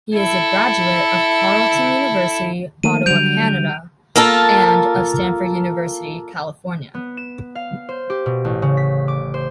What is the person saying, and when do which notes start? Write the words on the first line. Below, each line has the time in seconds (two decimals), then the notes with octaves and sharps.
He is a graduate of Carleton University, Ottawa, Canada, and of Stanford University, California.
0.15 E4 A4
2.83 D#3 A3 A#3 D#7
3.06 D3 F#3 G3 G6 D7 F7
4.16 A#3 F4 A4 A#4 A5
6.94 B3
7.17 E7
7.55 F5
7.89 C5
8.10 G4
8.26 B2
8.45 A1
8.62 C#3
8.77 B6
9.08 D6
9.34 C5